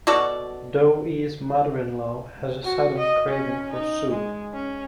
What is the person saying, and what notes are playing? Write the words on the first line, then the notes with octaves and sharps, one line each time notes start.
Dou E's mother-in-law has a sudden craving for soup.
B2 F#4 A4 D5
F#4
D#5
C#4
D#4
G#3
C#4